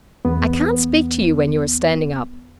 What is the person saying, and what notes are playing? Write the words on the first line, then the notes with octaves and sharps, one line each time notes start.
I can't speak to you when you are standing up.
E2 B3